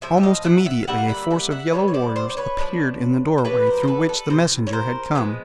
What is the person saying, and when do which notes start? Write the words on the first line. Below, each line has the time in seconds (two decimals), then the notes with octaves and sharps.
Almost immediately a force of yellow warriors appeared in the doorway through which the messenger had come.
0.02 A2 F3 E5
0.18 E5
0.23 D#5 F5
0.44 E5 F#5
0.66 E5 F#5
0.83 F5
0.88 D3 G3 A#3 E5 F#5
0.98 F5
1.08 E5 F#5
1.31 E5 F#5
1.51 E5 F#5
1.72 D3 G3 B3 B4 C#5
1.88 C#5
1.94 C5 D5
2.16 C5 D5
2.29 C5
2.37 B4 C#5
2.58 F3 A#3 D4
3.38 C5
3.45 E3 G3 B3 D4 B4 C#5
3.66 A#4 C5
3.83 C5
3.87 A4 B4
4.09 A4 B4
4.30 C3 E3 C5
4.67 C#5
4.73 A#4 C5
5.15 F3 G#3 B3